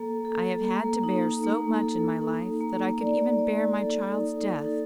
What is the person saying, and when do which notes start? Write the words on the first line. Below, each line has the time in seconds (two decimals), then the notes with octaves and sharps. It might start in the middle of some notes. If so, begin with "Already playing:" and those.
I have had to bear so much in my life that I could even bear my child's death.
Already playing: A#3 A4
0.25 A4
0.65 A#3
1.03 D#4
1.44 A#3
1.82 A4
2.21 D#4
2.61 A#3
3.00 D5
3.39 D5
3.79 A4
4.18 D#4
4.58 A4